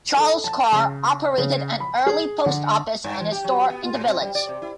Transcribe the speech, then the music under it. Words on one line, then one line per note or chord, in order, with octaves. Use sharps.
Charles Carr operated an early post office in his store in the village.
A4
A5
C#3
C#3
B5
G#4
D3
G2
E3
G4
F#3
B3
F4
A2
C4
G3
D5
C3
E4